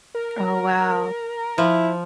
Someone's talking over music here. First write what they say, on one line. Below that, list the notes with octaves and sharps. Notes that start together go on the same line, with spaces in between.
Oh, wow.
A#4
F3 E4